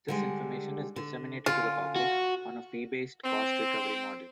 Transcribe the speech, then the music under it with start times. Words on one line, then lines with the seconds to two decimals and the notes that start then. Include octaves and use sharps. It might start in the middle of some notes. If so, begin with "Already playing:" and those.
This information is disseminated to the public on a fee-based cost-recovery model.
0.08 D3 G3 G#3
0.96 D3
1.46 D3 C#4 F4
1.96 F#4
3.23 C4